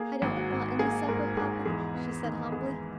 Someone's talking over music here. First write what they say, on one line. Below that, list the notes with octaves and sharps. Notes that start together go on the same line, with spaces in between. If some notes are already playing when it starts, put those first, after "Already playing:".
"I don't want any supper, papa," she said, humbly.
Already playing: A#3 G#4
G#1
F#4
G#2
A#3 G#4
G#2 A#4
G#2 G#4
E2 G#4
B3
D#3
B3 G#4